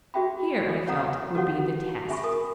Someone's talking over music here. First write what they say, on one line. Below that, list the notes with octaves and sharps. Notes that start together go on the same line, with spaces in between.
Here, I felt, would be the test.
F#4 G#4 E5 G5 B5
A4 D#5
C#5 F5 F#5 A#5 D#6
F#4 G4 A4 C#5 F5 F#5
G#4 E5 G#5 B5 C#6
A#4 G#5 D#6